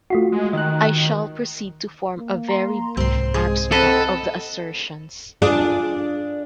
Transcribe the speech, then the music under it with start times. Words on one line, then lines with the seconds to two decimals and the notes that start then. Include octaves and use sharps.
I shall proceed to form a very brief abstract of the assertions.
0.10 A3 F4 F#4
0.32 G#3
0.53 D#3 D#5 F#6
2.18 A#3
2.48 A#5 C6
2.97 C2 G#2 C3 C4 C6
3.34 G#3 G#4
3.72 C4 A4 D#5 F#5 B5
5.42 D4 F4 G#4